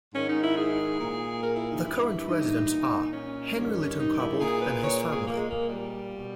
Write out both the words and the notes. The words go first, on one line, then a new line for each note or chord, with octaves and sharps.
The current residents are Henry Lytton-Cobbold and his family.
G#2 D#3 C#4
D#4
E4
G#4
A#2
A#4
E4
D#4
G2 E3 E4
D#4
A#2
C#4
G2 D#3
D#4
E4
A#2 G#4
B4
C#5
G#4
A#2 A#3
G#3
A#3
G3
B2